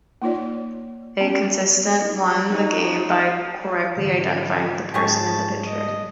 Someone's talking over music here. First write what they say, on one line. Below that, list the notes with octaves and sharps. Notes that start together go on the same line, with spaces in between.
A contestant won the game by correctly identifying the person in the picture.
A#3 D#4 F4 C#5 D5
B3 C#4 G5
D#4 F#4
G#1 D3 E3
G#2 G4 G#4 A5 C#6
D#5